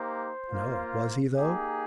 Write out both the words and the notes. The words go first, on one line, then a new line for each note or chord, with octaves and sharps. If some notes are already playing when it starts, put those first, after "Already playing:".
"No was he, though?"
Already playing: A#3 D#4 G4 C5
A#3 F4
A#3 D#4 G4 G#4